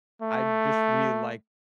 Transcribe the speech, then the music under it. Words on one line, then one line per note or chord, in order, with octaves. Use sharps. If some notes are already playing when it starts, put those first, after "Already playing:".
I just really like
A3